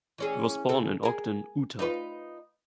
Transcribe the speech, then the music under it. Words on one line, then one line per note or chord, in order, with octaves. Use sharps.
He was born in Ogden, Utah.
E3 C#4 G#4
C#3 A4
G#4 A#4
D#4 F4 B4